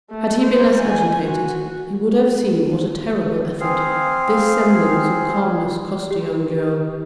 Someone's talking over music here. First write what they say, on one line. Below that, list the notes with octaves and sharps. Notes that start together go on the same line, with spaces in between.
Had he been less agitated, he would have seen what a terrible effort this semblance of calmness cost the young girl.
A3
C5
G#5
F#4
C4 G#4 F5
G4